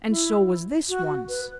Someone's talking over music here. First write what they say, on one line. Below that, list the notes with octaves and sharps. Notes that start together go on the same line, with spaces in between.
And so was this one's.
E4
F#4
B4